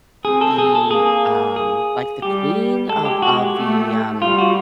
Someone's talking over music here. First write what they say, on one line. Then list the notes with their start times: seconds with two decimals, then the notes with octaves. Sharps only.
the, d um, like, the queen of of the, um,
0.25 C4 G#4
0.41 A4
0.58 G#4
0.75 A4
0.90 A#3 G#4
1.56 G#4
2.22 G3 G4
2.89 G#3 A4
3.05 G4
3.22 G#3 F#4
3.38 G4
3.55 A3
4.21 G3 F4
4.38 F#4